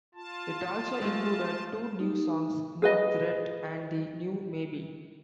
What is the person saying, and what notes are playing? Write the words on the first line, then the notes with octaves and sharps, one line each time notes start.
It also included two new songs, "No Threat" and "The New Maybe".
F4 A5
G#3 A3
D#4
G#4 B4 D#5